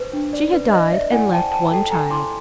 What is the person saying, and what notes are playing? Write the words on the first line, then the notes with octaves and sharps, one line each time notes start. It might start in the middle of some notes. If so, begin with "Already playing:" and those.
She had died and left one child.
Already playing: B4 C5
D4
D5
B4
B4 D#5
D5 E5
E4 F#5 G#5
C5 G5 A5
C5 G5 A5
A#5
A4 G5 A5
A4 G#5 A#5
E4 C6 D6